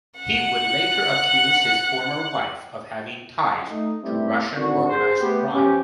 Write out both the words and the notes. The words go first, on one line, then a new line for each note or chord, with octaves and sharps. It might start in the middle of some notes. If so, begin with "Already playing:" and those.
He would later accuse his former wife of having ties to Russian organized crime.
F#5 F#6
A3 D#4
G3 A3 B3 C4 E4 G4
D3 D#3 C4 D4 F#4
G#4 C5
A3 B3 G4
F3 C#4 G4